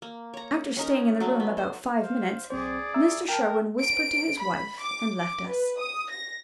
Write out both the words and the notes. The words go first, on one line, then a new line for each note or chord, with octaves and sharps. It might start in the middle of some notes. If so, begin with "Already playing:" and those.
After staying in the room about five minutes, Mr. Sherwin whispered to his wife, and left us.
A#3
C#5 A#5
C#4 D#4 A#4
F#3 A3 A#3
B3
C5
C5 F5
B1 C4 G#4 C5 D5
E5 A#5 E6
A#4 G5 A5
D7
B5
D6
D6
B4
D#6
A#6